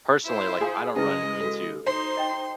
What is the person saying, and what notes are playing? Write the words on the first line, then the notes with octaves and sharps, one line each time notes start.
personally, like, I don't run into,
E4 F4 C5
G#4 F5 G#5 D6
C#3 G#3 E4 B4 D#5 G#5
F#4 A4
D#4 C5 C6
D#5 G5